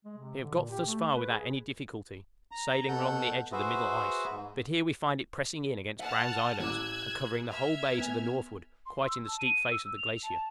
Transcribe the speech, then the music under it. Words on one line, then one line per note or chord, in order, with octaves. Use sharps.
We have got thus far without any difficulty, sailing along the edge of the middle ice; but here we find it pressing in against Browne's Islands, and covering the whole bay to the northward, quite in the steep face of the glacier.
G#3
C3
D3
A#2
G4
A3
B4
G#4
A#5
B2 A4 F#5 G6
F#4 G#4 B4 C5 E5
G#2
E5 F#5 A5 F6
A1 E3 D6 E6 F#6 G#6
E5 F6 G#6
B3 G#5
C6
E6
A5
D#7
E6
F7
A5